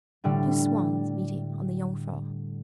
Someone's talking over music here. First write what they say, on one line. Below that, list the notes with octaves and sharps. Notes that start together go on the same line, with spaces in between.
Two swans meeting on the Jungfrau.
A2 D3 G3